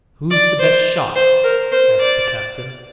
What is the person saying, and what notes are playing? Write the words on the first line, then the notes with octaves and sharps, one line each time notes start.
"Who's the best shot?" asked the captain.
D5
C5
C5
A#4
C5
D5